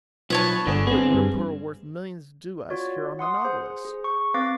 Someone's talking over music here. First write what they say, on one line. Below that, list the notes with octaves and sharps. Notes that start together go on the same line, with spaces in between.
"What good would a pearl worth millions do us here on the Nautilus?"
B1 F3 B4 C#5 A5 D#6 F#6
G1 D3 D4 G#4
B3 C4 G#4
G2
F4 F#4 C#5 D5
F#5 C6 D#6
G#4 C5
G#4
C#6
C4 B4 F5 D6 A6 A#6